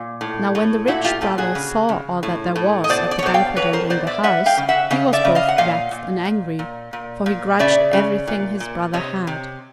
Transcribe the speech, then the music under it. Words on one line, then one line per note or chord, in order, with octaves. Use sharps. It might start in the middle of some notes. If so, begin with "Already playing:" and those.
Now when the rich brother saw all that there was at the banquet and in the house, he was both vexed and angry, for he grudged everything his brother had.
Already playing: A#2
A2
A2
A#2 E4 F#4
F4 G4
A#2 G4 A4
F#4 G#4
C#3
C#3
A2
A2
D#5
B2 C5 D5
D5
C#5
B2 C5 D5
F5 G5
B2 B4 C#5
A#4 C5
B2 C5 D5
D5 E5
G3 E5 F#5
F5 G5
C#3
E5 F#5
C#3 D#5 F5
D5 E5
C#3
D#5 F5
F#5
A#2 D#5 F5
A#2
A#2
A#2
A#2
A#2
C#3 D5 E5
C#3
A#2
A#2
C3 C#5 D#5
C3